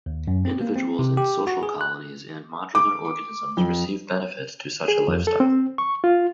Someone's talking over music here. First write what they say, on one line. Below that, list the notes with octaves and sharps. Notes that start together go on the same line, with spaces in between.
Individuals in social colonies and modular organisms receive benefit to such a lifestyle.
D#2
F#2
C4
A#3
C4
C3
G4
F#4
G#4
F#6
D6
F2
G#4
F2
A4
C4
C#6
F4